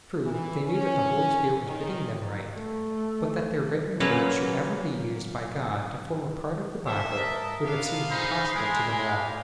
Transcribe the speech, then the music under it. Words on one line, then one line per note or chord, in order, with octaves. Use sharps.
True, they knew that the Holy Spirit was bidding them write, but that their written words should ever be used by God to form a part of the Bible would have seemed impossible to them all.
E3
C#4
D#3
A3
F#2 F#3 A#3 C#4 B4
A#3 A4 C5 E5
A#4 D#5 A5
B3 D4 F5
D#4 G#4 C5 B5 C6
G#3 A3 C4 D4 A#4 G#5
F4 G4 F5